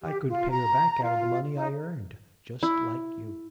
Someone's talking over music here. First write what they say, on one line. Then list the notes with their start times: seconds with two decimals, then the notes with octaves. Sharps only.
I could pay her back out of the money I earned, just like you.'
0.02 G4
0.28 F4
0.51 A#5
1.02 F4
1.54 D#4
2.63 E4